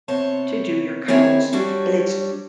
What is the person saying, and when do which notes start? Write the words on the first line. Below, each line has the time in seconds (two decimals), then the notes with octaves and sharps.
to do your counts. And it's
0.08 C3 B3 C5 C#5 A5
1.08 D#3 C4 C#4 E4 G#4 C#5
1.53 G3 D4 F#4 C#5